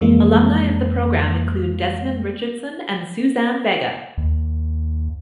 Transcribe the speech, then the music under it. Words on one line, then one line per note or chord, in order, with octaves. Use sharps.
Alumni of the program include Desmond Richardson and Suzanne Vega.
F2 E3 G#3 A#3
D#2